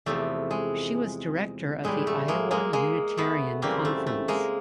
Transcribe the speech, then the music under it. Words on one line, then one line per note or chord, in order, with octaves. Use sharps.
She was director of the Iowa Unitarian Conference.
E2 C3 F3 A3
G#3
A2 E3 G3 G#3
A3
G#3 A#3
G#3 A#3
G#3 A#3
A3 B3
F#2 C#3 E3 G3 A#3 C4
A3
A3
G#3 A#3